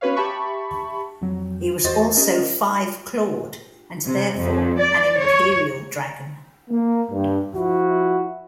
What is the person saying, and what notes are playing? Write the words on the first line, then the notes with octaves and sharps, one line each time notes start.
He was also five-clawed and therefore an imperial dragon.
B3 C#4 F#4 B4 C#5 F5
G4 E5 A5 B5 C#6
F2 F#3
E2 F#4 C5 D#5 A6
C#4 G4 A#4 D#5
C3
F2
D5
C#5
A#3
G2
F3 E4 F#4